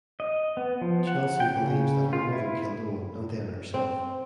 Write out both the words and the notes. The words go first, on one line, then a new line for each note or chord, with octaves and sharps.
Chelsea believes that her mother killed Owen and then herself.
D#5
B3
F3
F#5
G5
C#3
F4
E4
C4